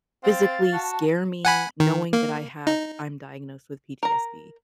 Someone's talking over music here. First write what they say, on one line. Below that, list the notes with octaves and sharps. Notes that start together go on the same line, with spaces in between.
physically scare me knowing that I have I'm diagnosed with PTSD.
C4 F5 A6
F#4 A5
F#5 G#5 B5
D#3
A#3
D#4
A#4 A#5